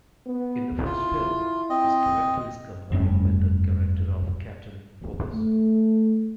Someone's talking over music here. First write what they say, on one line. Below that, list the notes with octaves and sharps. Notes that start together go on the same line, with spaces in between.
In the first film, his character is combined with the character of Captain Phoebus.
B3
E4 F4
C4 D#5
F1 G2 C#4
A3